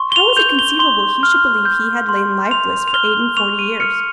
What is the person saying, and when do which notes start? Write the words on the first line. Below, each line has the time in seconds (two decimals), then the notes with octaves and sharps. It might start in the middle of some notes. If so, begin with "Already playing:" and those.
How was it conceivable he should believe he had lain lifeless for eight-and-forty years?
Already playing: C6 C#6
0.12 G7
0.16 F7
0.37 G6 F7
0.59 G7
0.79 C6 G7
1.23 F6
1.65 G6
2.09 C6
2.51 C6 F7
2.88 F7
2.94 F6 G7
3.37 C#6 F7
3.59 D#7
3.80 F6 C#7